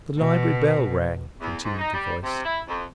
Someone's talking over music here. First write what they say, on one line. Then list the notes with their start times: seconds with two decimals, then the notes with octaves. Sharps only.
"The library bell rang," continued the voice.
0.19 B2
1.40 E2
1.64 G#2
1.78 D#4
1.93 G3
2.23 C3
2.43 E4
2.67 F2